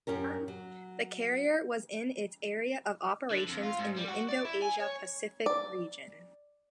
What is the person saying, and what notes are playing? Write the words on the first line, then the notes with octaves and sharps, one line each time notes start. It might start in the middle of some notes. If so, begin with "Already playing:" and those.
The carrier was in its area of operations in the Indo-Asia-Pacific region.
F#2 C#4 G4 A#4
F#3
D3
F2
F4
G#2
G3
F#4
D5
E4
G#5
C#5
D5